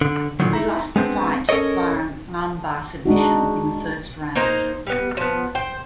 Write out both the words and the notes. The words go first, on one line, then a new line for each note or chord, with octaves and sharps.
He lost the fight via an armbar submission in the first round.
D3
A#2 D3 D#3 F3 F#3
D#4 E4 A#5
G#3 B3 C4 D4
C#4 A4 A#4 C#5 D#5
G#3 D4 D#4 F#4
A#3 D#4 C5 A#5
G3 B3
F3 B3
C5 G5